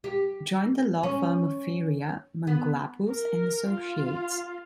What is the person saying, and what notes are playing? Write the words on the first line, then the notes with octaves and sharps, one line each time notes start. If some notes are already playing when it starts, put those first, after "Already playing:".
Joined the Law Firm of Feria, Manglapus and Associates.
G4
C#4
B3
A#4
F4